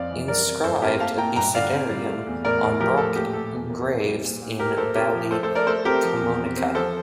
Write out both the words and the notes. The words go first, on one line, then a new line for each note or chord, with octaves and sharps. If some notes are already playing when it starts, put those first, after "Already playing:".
Inscripted abecedarium on rock engraves in Valle Camonica.
Already playing: F2 C4 D5 F5
E3
G3 A#4 D5
C4
G2 A4 C5
C4 G4 A#4
A#3 F5 A5
A#2 G5 A#5
G2 G5 A#5
D3 D5 F5
C4
G3
A3
E2
A2 A#4 D5
A2
F3 G4 A#4
A2 A4
A#2 G4
A#2 A4
E2
A#3
C4
G3
A#2
A#2
A#3 G4 A#4
A#3 A4 C5
C3 G4 A#4
F3
A3 A4 C5
A4 C5
A3
A#4 D5
A3 A4 C5
C4 G4 A#4
F3
E2
C4
C4
F3 A4 C5